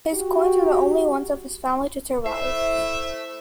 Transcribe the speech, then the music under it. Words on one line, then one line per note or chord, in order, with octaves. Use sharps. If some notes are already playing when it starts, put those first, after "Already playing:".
His coins are the only ones of his family to survive.
F#4 G4
A3 E4 C5 E5